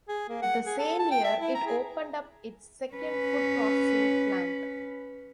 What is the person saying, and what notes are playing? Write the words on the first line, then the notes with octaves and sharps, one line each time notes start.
The same year, it opened up its second food processing plant.
G#4
A#3
F#5
G#4
A4
A5
G5
E5
E4
A#5
G#4
C#4 B4